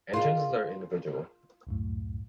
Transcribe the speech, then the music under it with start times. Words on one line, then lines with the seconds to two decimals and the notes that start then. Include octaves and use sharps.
Entrances are individual.
0.13 F4 G#4 A#4
1.67 C#2 F#2 A2